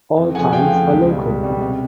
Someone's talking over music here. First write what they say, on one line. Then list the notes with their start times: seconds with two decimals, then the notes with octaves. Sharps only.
All times are local.
0.17 F2
0.35 C#3 F3 A3 F#5 G#5
0.53 F2 F5 G5
0.71 C#3 F3 A3
0.90 C#2
1.07 B2 G3
1.25 C#2
1.43 B2 G3
1.61 C3